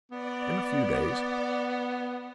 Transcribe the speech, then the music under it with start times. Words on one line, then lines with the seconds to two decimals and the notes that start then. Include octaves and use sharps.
In a few days.
0.11 B3 D5